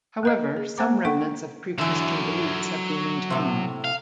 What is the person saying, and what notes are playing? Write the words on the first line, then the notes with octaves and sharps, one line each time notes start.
However, some remnants of pre-Christian beliefs have been maintained.
A#3 A#4 D#5
G#4
A#3 B3 C5 F#5 A#5 D6
D4 A4 F#5 G5 C#6
D3 E3 F#3 E5
A2 C3
F5